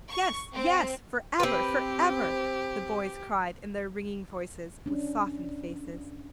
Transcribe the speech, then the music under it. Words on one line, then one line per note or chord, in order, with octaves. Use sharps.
"Yes, yes, for ever, for ever!" the boys cried in their ringing voices, with softened faces.
C#6
C4
C4 G4 B4
C#4 D4